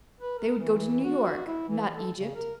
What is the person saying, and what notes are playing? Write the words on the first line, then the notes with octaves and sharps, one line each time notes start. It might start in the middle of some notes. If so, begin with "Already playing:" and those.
They would go to New York, not Egypt.
B4
A#4
E3
F#4
E4
E3
A4
C#3
A#4